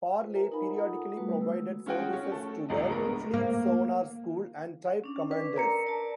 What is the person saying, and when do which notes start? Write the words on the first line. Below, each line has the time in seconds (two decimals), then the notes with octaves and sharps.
"Parle" periodically provided services to the Fleet Sonar School and type commanders.
0.20 F4 B4 C5
0.34 A#4 D5 E5 G#5 A#5
0.52 D#4 A#4 F#5 G#5 B5
0.73 F4 A4 F#5 A#5 D#6
1.16 G3 A3 B3 F#4 B4
1.41 G#3 E6
1.86 C#4 F4 F#4 G#4 G5
2.13 C#4
2.32 A3 A4
2.69 D#1 G#1 C#2 D#5
2.87 G#3 A3 B3 D4 A#4
3.34 A#3
5.04 C#4 D4
5.31 B4 D5
5.56 A#4 D5 A#5 C#7
5.87 D5 A5